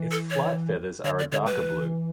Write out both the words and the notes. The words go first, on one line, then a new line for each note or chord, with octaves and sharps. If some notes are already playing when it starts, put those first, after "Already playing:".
Its flight feathers are a darker blue.
Already playing: E3
A4
C#5
D3 C#5
D5
D3 C#5
G#3 B4
F#3
E3